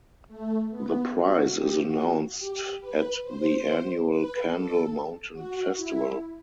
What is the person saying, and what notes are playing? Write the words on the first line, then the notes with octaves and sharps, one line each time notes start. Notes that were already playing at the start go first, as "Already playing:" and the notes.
The prize is announced at the annual Kendal Mountain Festival.
A3
B3
F#4
G4
F#4
G4
B4
C5
B4
A4
F#4
E4